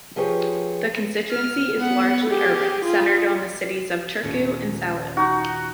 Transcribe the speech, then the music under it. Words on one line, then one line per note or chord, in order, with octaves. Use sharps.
The constituency is largely urban, centred on the cities of Turku and Salo.
F3 F4 G4 G#4 B4 C#5
F6
B3 F#5
G4 G#4
F4 G#4
D#2 A#2 C#4
D#4 F#4